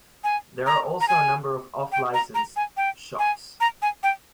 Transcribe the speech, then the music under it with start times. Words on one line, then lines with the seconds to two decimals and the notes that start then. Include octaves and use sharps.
There are also a number of off-licensed shops.
0.24 G#5
0.66 A#5
1.01 A#5
1.08 G#5
1.92 G5
2.14 A#5
2.35 A#5
2.56 G#5
2.77 G5
3.19 G#5
3.60 A#5
3.82 G#5
4.03 G5